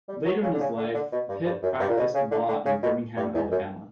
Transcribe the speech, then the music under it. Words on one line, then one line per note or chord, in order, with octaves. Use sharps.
Later in his life, Pitt practiced law in Birmingham, Alabama.
G3
F#3
C#3
D3
C#3
D3
D3
B2
G2
G2
F#2
G2
A#2
B2
C#3
D3
D3
C#3
B2
G2
E2
F#2